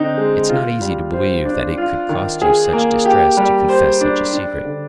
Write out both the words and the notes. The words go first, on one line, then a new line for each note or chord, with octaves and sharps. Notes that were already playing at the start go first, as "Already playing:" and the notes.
It's not easy to believe that it could cost you such distress to confess such a secret....
Already playing: D3 C4 D#4
G#3
F4
G3
C5
D4
F4
D#3
G#4
A#3
G4
G3
C5
D4
D4
D3